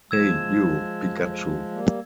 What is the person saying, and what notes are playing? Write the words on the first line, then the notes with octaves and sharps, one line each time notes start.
Hey You, Pikachu!
F3 G#3 E6 G#6 E7
G3 A#3